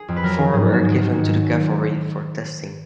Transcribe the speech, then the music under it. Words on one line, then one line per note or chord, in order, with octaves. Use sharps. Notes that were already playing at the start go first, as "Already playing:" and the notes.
Four were given to the cavalry for testing.
Already playing: G#4
F2
B4
F#3 A#4
D#3
G#2 G#4
G#2
F#4
G#3
G#4
D#3
G#2 F#4
F#3